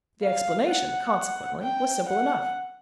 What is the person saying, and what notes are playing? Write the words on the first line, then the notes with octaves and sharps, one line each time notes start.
The explanation, consequently, was simple enough.
F5
F#5
G5
F#5